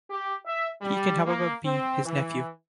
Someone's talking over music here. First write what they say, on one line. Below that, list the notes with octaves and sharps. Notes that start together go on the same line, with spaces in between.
He can however be his nephew.
G4
E5
G3
A#3
C4
E3